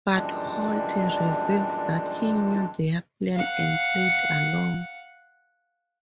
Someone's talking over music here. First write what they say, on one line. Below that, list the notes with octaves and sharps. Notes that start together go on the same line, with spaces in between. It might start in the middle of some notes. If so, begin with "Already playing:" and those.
But Holt reveals that he knew their plan and played along.
F#2 A#2 E3 G3 G#3 D4
F5 F#5